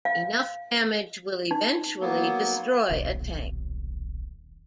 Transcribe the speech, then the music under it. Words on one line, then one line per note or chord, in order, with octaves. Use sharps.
Enough damage will eventually destroy a tank.
F5
D#4
F#3 A#3 B3
D#1 B1